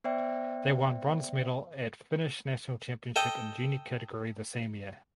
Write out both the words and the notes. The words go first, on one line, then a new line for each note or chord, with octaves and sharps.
They won bronze medal at Finnish National Championship in junior category the same year.
B3 C5 D5 E5 G5
A4 D#5 G5